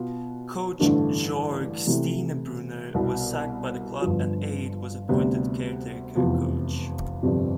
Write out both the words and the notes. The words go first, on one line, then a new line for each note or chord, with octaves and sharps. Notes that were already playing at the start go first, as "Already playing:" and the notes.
Coach Jorg Stienebrunner was sacked by the club and Aide was appointed caretaker coach.
Already playing: B2 B3 F4
A1 G2 D3 A3 D4
C3 E3 A3
C2 B2 B3
G1 G2 F3
D2 C3 G3 B3
F1 E2 C3 F3 B3
G1 F2 C3 G3 C4